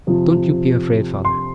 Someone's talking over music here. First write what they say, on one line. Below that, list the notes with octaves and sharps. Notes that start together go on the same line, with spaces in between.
'Don't you be afraid, father.'
F2 C3 F3
C6